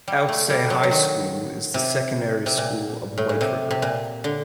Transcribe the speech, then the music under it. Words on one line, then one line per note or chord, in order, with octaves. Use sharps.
Alchesay High School is the secondary school of Whiteriver.
G3
A3
G3
F#3
F#3
D#3
C3
C3
A#2
A2
A#2
C3
C3
A#2
D3